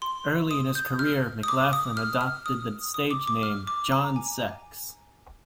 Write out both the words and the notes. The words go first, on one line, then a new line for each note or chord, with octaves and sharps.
Early in his career, McLaughlin adopted the stage name "John Sex".
C6
D#6
G6
F6
D#6
D6
D#6
F6
F6
D#6
D#6
D6
D6
F6
D6
A#5
G#5